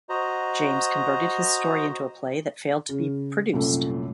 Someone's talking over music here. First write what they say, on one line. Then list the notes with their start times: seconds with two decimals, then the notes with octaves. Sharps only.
James converted his story into a play that failed to be produced.
0.09 F#4 C5 D#5 A#5
2.89 C#3
3.53 C2 F#2 A#2 A3